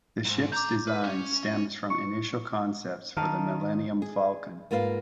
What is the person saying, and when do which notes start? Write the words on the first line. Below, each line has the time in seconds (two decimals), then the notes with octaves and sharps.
The ship's design stems from initial concepts for the "Millennium Falcon".
0.25 G#2
0.52 C#2 A#5 D6 G6
0.88 B4
1.04 C#4
1.90 C#6
3.17 D#3 F5 A5 A#5
4.02 G#4
4.71 G#2 A#3 F4 B4 F5